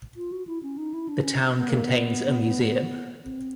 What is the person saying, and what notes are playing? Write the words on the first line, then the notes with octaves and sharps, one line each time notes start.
The town contains a museum.
F4
F#4
E4
C#4
D#4
E4
D4
C#4
B3
A#3
B3
C4